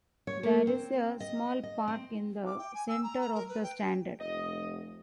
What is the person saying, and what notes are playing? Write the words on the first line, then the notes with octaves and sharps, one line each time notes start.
There is a small park in the centre of the Standard.
C#5
A#3
C4
D#5
D#5
C4
D6
G5
G#5
E6
A#5
A#5
A#4
B4
G5
F1 D#5